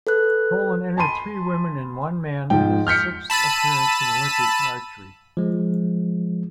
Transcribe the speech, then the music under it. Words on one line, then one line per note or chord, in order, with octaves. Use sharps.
Poland entered three women and one man in its sixth appearance in Olympic archery.
A4 B4 F#6
G#5 A5 B5 C6 D#7
G#2 F3 G5
F6 G6 B6 C#7
A5 B5 E6 D#7
F3 G#3